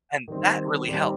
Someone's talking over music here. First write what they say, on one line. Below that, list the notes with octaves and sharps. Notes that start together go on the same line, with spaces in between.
And that really helped.
D#3 G3 C4
D#3 G3 C4